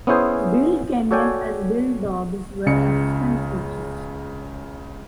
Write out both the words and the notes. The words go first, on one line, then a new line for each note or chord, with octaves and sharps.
Bill Kenyon and Bill Dobbs were assistant coaches.
B3 C#4 E4 G#4 C5
F#4 A4 C#5 D5 G5 G#5
C#2 C#3 C#7